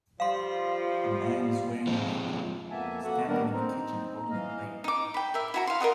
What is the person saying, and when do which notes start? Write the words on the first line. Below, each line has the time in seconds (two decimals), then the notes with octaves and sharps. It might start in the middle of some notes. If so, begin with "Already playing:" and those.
A man is wearing an apron, standing in the kitchen holding a plate.
0.20 F3 G3 F4 F5 C6
1.87 F3 G#3 C4
2.70 F2 A#3 B3 E5 G#5 A5
3.04 A#3 F#4 A4 F#5
3.27 D#3 G3 B3 D4 A#4
3.52 C4 D#4
4.30 E3 D#5 F5
4.84 D#4 D6
5.14 G5 B5
5.34 A#4 E5
5.54 E4 F#4 A#5
5.67 F5 C6
5.80 A#4 C5 D#5 F#5